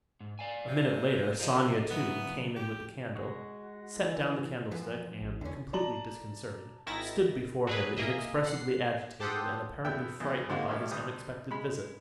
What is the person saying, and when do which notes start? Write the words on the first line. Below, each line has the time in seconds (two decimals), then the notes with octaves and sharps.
A minute later Sonia, too, came in with the candle, set down the candlestick and, completely disconcerted, stood before him inexpressibly agitated and apparently frightened by his unexpected visit.
0.20 G#2
0.39 D5 F5 G#5
0.68 C3
1.40 F3 A#4 D#5
1.90 C#3 F#3 B3 E5
2.56 G4
3.16 G#3 F#4
3.96 E3
4.71 F#2 E3 F3
5.21 A1
5.41 E2 D3 C#4
5.73 D5 A5 A#5 F#7
6.87 G#1 D#3 E4 A6 A#6
7.67 F#3 G#4 B4
7.97 A#3 G#4 D#5 E5
8.45 F#5 C7
9.20 G4 A4 C5 F#5 G5 D#6
9.85 E2 E5 G5 E6
10.20 A#1 E2
10.49 D3 G#3 A#3 C4 D#4 F#4
10.68 A1 G2
10.91 D2 G3 D#6
11.51 G#3 B5